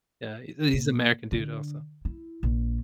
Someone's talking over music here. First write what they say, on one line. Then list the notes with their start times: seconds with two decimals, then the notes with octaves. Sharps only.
Yeah, he's a he's American dude, also.
0.73 A#2
1.32 D3
2.05 E4
2.43 A#1